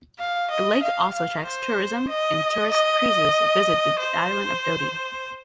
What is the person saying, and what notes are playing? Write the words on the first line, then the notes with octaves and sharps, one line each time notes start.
The lake also attracts tourism, and tourist cruises visit the island of Dodi.
F5
D#5
F5
F5
C5
D#5
D#5
C5